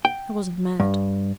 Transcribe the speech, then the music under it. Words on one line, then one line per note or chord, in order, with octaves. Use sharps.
"I wasn't mad."
G5
G2